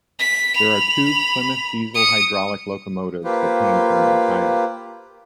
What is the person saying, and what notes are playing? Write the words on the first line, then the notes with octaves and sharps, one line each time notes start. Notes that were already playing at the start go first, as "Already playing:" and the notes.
There are two Plymouth diesel-hydraulic locomotives that came from Ohio.
B6
B5 F7
D#6 C#7
A#3 F4 G4 B4 C5